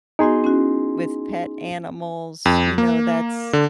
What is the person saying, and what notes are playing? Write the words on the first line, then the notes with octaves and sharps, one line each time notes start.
with pet animals, you know, that's
B3 D#4 F#4 G#4 C6
C#4 E4 F#4
F2
A#3
D3